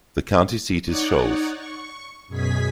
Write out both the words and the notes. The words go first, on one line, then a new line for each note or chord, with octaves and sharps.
The county seat is Shoals.
D#4 C#5 D5 F#5
C#6
F#2 B2 G#4 G#5 B6